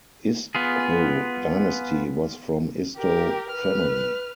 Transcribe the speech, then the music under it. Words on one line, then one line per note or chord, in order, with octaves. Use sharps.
Isdhoo Dynasty was from Isdhoo Family.
B3 F4 G#4
G4 A#4
B4 F6